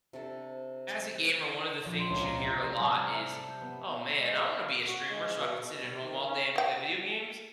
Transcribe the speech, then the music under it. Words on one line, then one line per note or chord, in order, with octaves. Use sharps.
as a gamer, one of the things you hear a lot is, "Oh man I wanna be a streamer so I could sit at home all day and play video games."
C3 D4 A4
A#1
C6
C#2
A#5
C3
A#5
G3
F6
E5
A5
G6
B3
G#3
F5
D6
F#4
G#3
B2
B2
B2
G3
D#3
C#4
D#5 G5